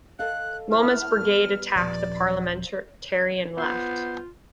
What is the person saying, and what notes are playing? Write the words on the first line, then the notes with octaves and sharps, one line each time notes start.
Wilmot's brigade attacked the Parliamentarian left.
A4 D#5 F5 F#6
E4 C5 A5 F6
G3 B3 B4
D#1 F3 D5
B3 F4 C5